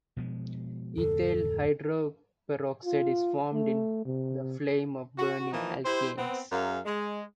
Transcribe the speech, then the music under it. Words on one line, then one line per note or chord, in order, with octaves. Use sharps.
Ethyl hydroperoxide is formed in the flame of burning alkanes.
B2 F3 G#3
D1 F2 D3 A4
F4
A3
C3
F#4
E3 F3 A#3 D#4
E4 G4 C5
B3 C4
F#2 G#4 A#4 F5
G#3